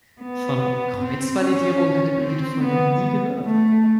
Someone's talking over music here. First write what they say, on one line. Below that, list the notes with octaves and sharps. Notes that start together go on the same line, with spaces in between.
Von Kreuzvalidierung hatte Brigitte vorher noch nie gehört.
B3
C4
C#4
C4
B3
A3